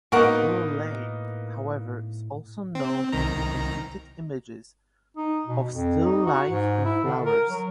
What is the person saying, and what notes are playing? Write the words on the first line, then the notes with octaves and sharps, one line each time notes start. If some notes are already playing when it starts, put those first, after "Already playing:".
Burleigh however is also known to have completed images of still life and flowers.
A2 A#3 B3 D#4 F#4 A#4 F#5
C4
C2 D#3 A#5
D#4
B2
F2
D#4
F#4
G#2
E4
D3
A#4
F#3